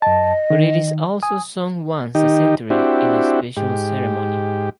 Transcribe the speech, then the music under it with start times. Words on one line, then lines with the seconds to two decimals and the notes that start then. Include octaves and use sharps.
But it is also sung once a century, in a special ceremony.
0.02 F#2 D#5 A5
0.50 D#3
1.23 G#5 D#6
2.15 D#3 D#4 G4
2.70 C4 D4 E4 F#4 G4
3.57 G#2 G4